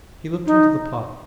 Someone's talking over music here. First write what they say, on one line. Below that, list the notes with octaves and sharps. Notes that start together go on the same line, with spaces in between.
He looked into the pot.
D#4